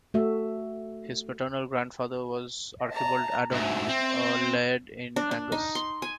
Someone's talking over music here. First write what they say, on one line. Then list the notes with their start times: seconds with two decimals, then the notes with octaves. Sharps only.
His paternal grandfather was Archibald Adam, a laird in Angus.
0.14 A3 F#4 E5
2.91 A5 A#5
3.52 D2 G#2 E5
3.89 C4
5.16 D4
5.31 D4
5.52 D#4
5.75 C6
6.02 G#5